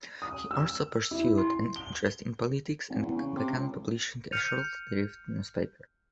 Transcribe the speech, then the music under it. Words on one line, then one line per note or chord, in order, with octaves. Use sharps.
He also pursued an interest in politics and began publishing a short-lived newspaper.
D#6
E6
E4
C6
G7
G#1
E2
C#3
C3
C#2
F6 G6 C#7 D#7 F7